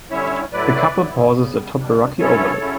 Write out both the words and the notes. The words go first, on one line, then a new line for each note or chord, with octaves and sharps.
The couple pauses atop a rocky overlook.
D3 G3 C#4 E4 C#5 E5
A2 F#3 A3 E4 B4 D5
A2 E3 B3 E4
C#3 G3 B3
B2 G3 D4
G2 F#3 C#4 E4 A4 C#5
C#3 F#3 C#4 E4